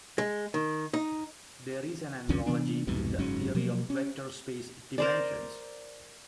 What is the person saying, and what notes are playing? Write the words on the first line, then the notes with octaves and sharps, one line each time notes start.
There is an analogy with the theory of vector space dimensions.
G#3
D#3
D#4
C2 F2 D3 C#4
C3 E3 B3 D4
C2 F2 G#2 B2
F#1 G#2 F#3 C#4
B2 F3 F#3 A#3
C#4
A#4 C5 D5